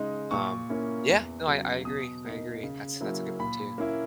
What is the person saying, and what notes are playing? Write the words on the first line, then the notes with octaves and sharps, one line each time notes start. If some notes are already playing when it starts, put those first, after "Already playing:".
Um, yeah. No. I I agree. I agree. That's that's a good one too.
Already playing: C#3 G#3 D#4
A#2 C#6
A#3 C#4 E4
E2
C#3 F#3
B2 D#6
A#3 D#4
C#3
F#3 A#3 C#4 E4
A#2 B5
A#3 C#4 E4